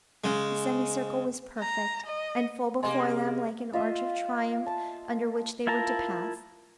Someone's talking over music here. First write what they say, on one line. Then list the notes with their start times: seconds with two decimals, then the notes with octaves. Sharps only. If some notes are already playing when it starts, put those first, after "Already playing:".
The semicircle was perfect, and full before them, like an arch of triumph under which they were to pass.
0.24 C#3 G#3
1.60 A#5
2.06 D#5
2.83 C3 G#3 A#3 D#5 G#5 C6
3.73 F4 D#5 E5
4.66 A5
5.67 E4 F4 A#4 A5 A#5